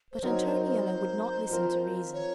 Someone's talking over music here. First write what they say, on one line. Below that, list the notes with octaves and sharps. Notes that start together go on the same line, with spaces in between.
But Antoniello would not listen to reason.
C5
F#3 C4 D#4 A#4 C#5
C5
C#5
C5
F3 C4 F4 A#4
C#5